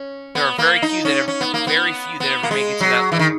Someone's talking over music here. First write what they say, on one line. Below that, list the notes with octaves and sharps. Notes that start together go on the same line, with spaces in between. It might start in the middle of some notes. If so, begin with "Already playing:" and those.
There are very few cue that ever very few that ever make it to that level.
Already playing: C#4
B3
A#3
D#4
C#4
C#4
B3
A#3
B3
B3
A#3
G#3
F#3
E3
D#3